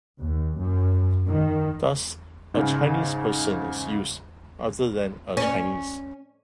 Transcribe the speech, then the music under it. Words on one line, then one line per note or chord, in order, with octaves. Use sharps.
Thus, "a Chinese person" is used rather than "a Chinese".
D#2
F#2
D#3
G#2 C#3
C#4